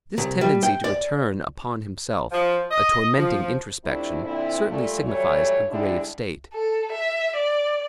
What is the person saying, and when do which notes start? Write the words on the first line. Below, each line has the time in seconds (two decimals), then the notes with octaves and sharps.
This tendency to return upon himself, a tormenting introspection, certainly signifies a grave state.
0.18 C2
0.41 G3
0.63 G5
0.84 D5
2.32 F3
2.71 D#5
3.17 F3
3.85 F2 C3 A3 D4 E4
4.23 A#2 D3 C4 D4 E4
4.69 A#2 G3 A3
5.05 E3 F#3 G3 A3 C#5
5.69 D3 G3 G#3 D4 E4
6.54 A4
6.92 E5
7.36 D5